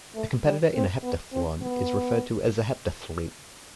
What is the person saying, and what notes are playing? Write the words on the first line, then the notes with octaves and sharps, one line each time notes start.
A competitor in a heptathlon is referred to as a heptathlete.
A3
G3
C4
B3
C4
B3